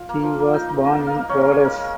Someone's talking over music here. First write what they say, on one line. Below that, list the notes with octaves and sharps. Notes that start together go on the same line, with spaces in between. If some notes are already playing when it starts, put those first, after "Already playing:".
He was born in Rodez.
Already playing: F4 F5
A#3
F3
A#3
D#4
D#4
A#3 D#5
A#3
F5
A#3
C#4 C#5
G#3 A#4
G#5
G#3 A#4
G#3